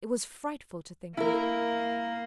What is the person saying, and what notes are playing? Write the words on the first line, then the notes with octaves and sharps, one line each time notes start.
It was frightful to think of.
A#3 E4 A#4